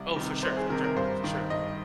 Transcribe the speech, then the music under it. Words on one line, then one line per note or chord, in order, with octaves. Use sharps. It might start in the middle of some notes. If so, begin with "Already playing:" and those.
Oh, for sure, for sure, for sure.
Already playing: C2
C3 D#3
C2 C5
G#4
C3 D#3 A#4
A#4
G2 C5
D#3
G2 D#5